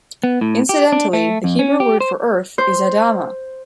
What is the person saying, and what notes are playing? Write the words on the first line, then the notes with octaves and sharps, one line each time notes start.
Incidentally, the Hebrew word for Earth is Adama.
B3
A2
G4
D4
A3
F2
C#4
G4
C5
C5